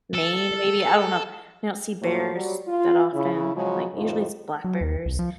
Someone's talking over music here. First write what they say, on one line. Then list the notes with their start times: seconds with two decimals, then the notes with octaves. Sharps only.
Maine, maybe. I don't know. I don't see bears that often, like, usually it's black bears,
0.14 A4
2.01 A2 F3 F#3 A#3
2.34 F#3 G3
2.67 F4
3.13 C#3 E4
3.55 C#3 F3 F#3 G#3
3.94 F2 A2 C3 D#3 F3
4.64 F#3
4.81 D#2
5.06 C2
5.19 F3